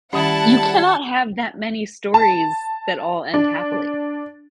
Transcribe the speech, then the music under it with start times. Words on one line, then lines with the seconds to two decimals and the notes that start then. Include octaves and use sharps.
you cannot have that many stories that all end happily.
0.13 D#3 G3 C#4 E4 F#5 A5
2.14 A5
3.34 D4